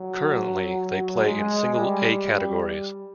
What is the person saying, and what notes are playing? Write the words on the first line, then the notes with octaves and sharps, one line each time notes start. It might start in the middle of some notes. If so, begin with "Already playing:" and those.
Currently, they play in single "A" categories.
Already playing: F#3
G#3
G3
G3